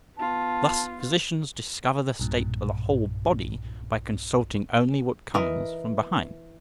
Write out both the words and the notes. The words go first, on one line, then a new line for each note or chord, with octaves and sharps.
Thus physicians discover the state of the whole body by consulting only what comes from behind.
B3 F4 A5
B1 G2 A#2
E3 A#4 D#5